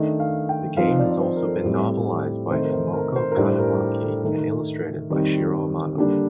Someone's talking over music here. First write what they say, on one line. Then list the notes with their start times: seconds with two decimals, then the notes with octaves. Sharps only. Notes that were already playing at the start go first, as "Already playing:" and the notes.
The game has also been novelized by Tomoco Kanemaki and illustrated by Shiro Amano.
Already playing: D#3 A3 D4 D#5
0.20 F5
0.49 G5
0.77 F3 C4 D#4 F5
0.99 D5
1.11 D5
1.21 C5
1.37 A#4
1.42 A4
1.64 A2 G3 C4
2.50 C3 D#3 A3 D#4 C5
2.65 A#4
2.73 C5
2.93 A#4
3.16 C5
3.32 A#4
3.37 A2 G3 D4 C5
3.48 C5
3.59 A#4
3.80 G4
4.02 A4
4.24 D#3 A3 D#4 A#4
5.10 D#3 G3 C4 D#4
5.97 D3 G3 A#3 D4